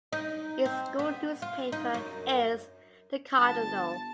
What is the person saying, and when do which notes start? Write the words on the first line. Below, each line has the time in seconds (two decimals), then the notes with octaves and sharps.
Its school newspaper is "The Cardinal".
0.13 D#4
0.66 C4
0.99 B3
1.42 F4
1.72 D#4
1.94 F#2
3.38 G1 A5